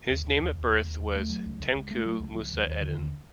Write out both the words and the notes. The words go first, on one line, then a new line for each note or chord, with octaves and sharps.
His name at birth was Tengku Musa Eddin.
D#2
D#2
D#2
D#2
D#2
D#2
D#2
A3
F#3
C#2
C#2
C#2
A3
F#3
C#2
F3
D#2
D#2
D3
D#2